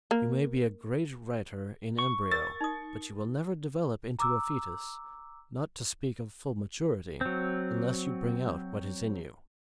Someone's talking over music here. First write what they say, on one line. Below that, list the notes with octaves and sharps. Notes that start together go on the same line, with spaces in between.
You may be a great writer in embryo, but you will never develop into a fetus, not to speak of full maturity, unless you bring out what is in you.
A#3
C#6
A#4 A6
D#4 D#6
A#5 D6 E6
F#3 C4